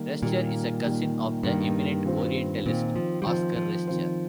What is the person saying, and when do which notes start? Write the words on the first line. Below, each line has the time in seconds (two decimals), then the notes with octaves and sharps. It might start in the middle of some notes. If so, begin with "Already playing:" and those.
Rescher is a cousin of the eminent orientalist Oskar Rescher.
Already playing: D#3 G3 A#3
0.22 A#2 D#3 G3 A#3
0.83 D#3 G3 A#3
1.43 G2 D#3 G3 A#3
2.05 D#3 C4 F4 C5
2.65 A#2 D#3 C4 F4 C5
2.96 F3
3.22 G3
3.26 D#3 F3 C4 F4 C5
3.56 F3
3.87 D#3 C4 F4 C5